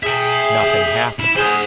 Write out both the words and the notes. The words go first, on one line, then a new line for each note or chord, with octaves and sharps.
Nothing happened.
G#4 E5 G5
E4
G#4 C5 F#5